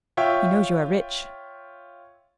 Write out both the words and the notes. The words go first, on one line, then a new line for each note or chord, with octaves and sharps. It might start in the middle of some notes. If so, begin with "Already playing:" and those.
"He knows you are rich."
F4 C#5 E5 G5